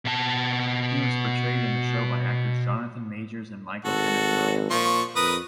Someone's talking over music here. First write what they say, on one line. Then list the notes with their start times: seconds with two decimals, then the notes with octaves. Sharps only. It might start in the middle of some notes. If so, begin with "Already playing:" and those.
He was portrayed in the show by actors Jonathan Majors and Michael Kenneth Williams.
0.05 B2 A5
3.85 G#1 F#4 A4
4.70 A#2 F3 C#6
5.16 F2 A#4 B4 D#6